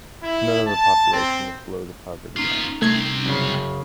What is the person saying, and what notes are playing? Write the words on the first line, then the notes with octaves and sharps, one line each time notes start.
None of the population is below the poverty line.
E4
A5
C4
A#3 B3 C#4 D#4 F4
C2 A3 C4 G#6
F#2 C#3